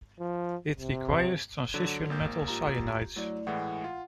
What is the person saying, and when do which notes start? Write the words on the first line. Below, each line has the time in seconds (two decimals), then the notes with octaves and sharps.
It requires transition metal cyanides.
0.19 F3
0.78 C3
1.74 D3 F#3
2.10 G#1 A#3 G6
2.48 F4 G4 A#5
3.16 F#3 A3 E4 D5
3.47 A2 E3 G#3 F#5
3.84 F4